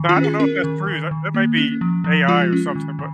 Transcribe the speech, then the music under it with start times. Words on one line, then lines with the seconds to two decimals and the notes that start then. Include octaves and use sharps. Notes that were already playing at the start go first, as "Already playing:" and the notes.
Now I don't know if that's true, that that might be AI or something, but
Already playing: D#3
0.09 F4
0.16 C#4
0.24 G#4
0.40 C#4 A#4
0.64 D#3
0.87 D#3
1.11 D#3
1.34 A#3
1.58 C#4
1.81 F3
2.04 F3
2.28 G#3 F4
2.53 C#4
2.75 D#3
2.99 D#3